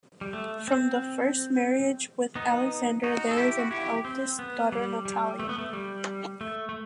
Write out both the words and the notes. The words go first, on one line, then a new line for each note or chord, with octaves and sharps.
From the first marriage with Alexander there is an eldest daughter Natalia.
G3
A3
C4
B3 D#4
D#4 F#4
A4
E4 G4
F#4
E4 G4
C4
B3
G3
G3
A3
B3
A3
G3
A3
A3